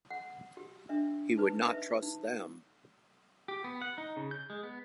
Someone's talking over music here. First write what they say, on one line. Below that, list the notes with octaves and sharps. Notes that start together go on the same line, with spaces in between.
He would not trust them.
F#5
G4
D4 E5
D#4 B4
B4 E5
D#4
G4
B3
F#5
D#4
C#3
G6
G#3
B3